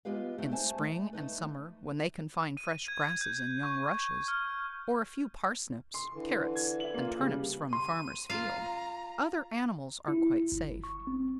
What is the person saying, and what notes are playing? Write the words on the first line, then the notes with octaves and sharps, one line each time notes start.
In spring and summer, when they can find fresh grasses and young rushes, or a few parsnips, carrots, and turnips from the farmers' fields, other animals are quite safe.
G#3 B3 F4 G4 B4 F5
A3 C4 D#4
A3 C5 G#5 A5
A3
A3 D#4 B4
D#7
G#6
G6
C#6
F6
C6
D3 E3
G#6
E4 F#7
A#3 F4
C#3 G3
C6 D#7
F4 F5 A#5
E4
G1
C#6
C4